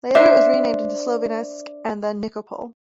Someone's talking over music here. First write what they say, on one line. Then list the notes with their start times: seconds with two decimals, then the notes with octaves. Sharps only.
Later it was renamed into Slovianske and then Nikopol.
0.15 D4 C5 E5